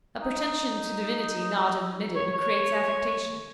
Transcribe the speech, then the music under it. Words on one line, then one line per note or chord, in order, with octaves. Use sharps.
A pretension to divinity not admitted creates affectation.
D#4
C#5
C#5